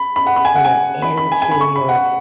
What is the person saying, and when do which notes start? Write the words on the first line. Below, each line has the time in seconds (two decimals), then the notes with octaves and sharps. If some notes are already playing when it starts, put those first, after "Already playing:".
you know, into your
Already playing: B5
0.16 B5
0.27 F#5
0.36 B5
0.45 G#5
0.55 F#5
0.64 G#5
1.02 B5
1.17 B5
1.32 G#5
1.42 G#5
1.51 B5
1.61 C#6
1.76 B5
1.89 F#5